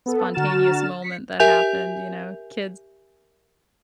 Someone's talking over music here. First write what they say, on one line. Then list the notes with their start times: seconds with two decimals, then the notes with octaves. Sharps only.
spontaneous moment that happened, you know, kids
0.06 B3 A4
0.34 D3 F#4 A#5 F6 A6 E7
1.02 B6 C#7
1.39 G4 A#4 E5 G#5 G6 F7